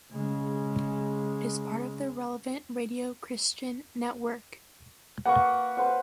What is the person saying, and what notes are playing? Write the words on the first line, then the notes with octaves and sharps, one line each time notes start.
It is part of the Relevant Radio Christian network.
C#3 G#3
A#3 B4 F#5 C#6
B4 C5 F#5